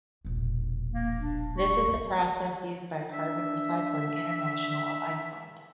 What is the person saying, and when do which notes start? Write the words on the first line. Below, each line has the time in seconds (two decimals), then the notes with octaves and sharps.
This is the process used by Carbon Recycling International of Iceland.
0.25 E1 A#1
0.91 A#3
1.18 D4
1.58 C#6
1.88 B3
3.12 D4 E5